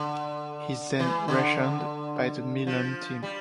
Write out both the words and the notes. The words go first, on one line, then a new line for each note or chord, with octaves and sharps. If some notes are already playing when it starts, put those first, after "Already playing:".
He’s then rationed by the Milan team.
Already playing: D3
E3
D3
F3
G3